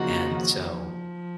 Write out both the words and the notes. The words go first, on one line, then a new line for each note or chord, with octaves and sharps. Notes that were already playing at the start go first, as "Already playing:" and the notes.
And so
Already playing: C#3 F3 A#3 D#4 F#4
D#3
F3